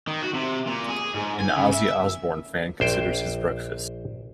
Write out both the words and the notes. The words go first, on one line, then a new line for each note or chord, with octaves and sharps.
An Ozzy Osbourne fan considers his breakfast.
D#3
F#4
C3
A#2
G#4
G#2
G#5
C#3
E5
A#1 C5 G5